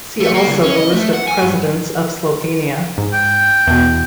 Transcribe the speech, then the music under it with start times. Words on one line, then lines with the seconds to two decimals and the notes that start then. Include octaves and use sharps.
See also the list of presidents of Slovenia.
0.20 A3
0.34 A#3
0.47 C#2
0.63 C#4
0.76 D#5
0.93 A3
1.14 F#5
1.28 G#5
1.43 G2
2.98 G#2
3.13 G5
3.67 E2 B2